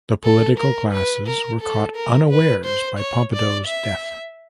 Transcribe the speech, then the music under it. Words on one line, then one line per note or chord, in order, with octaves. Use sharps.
The political classes were caught unawares by Pompidou's death.
A4
A#4
B4
A#4
A4
A#4
B4
C5
C#5
D5
E5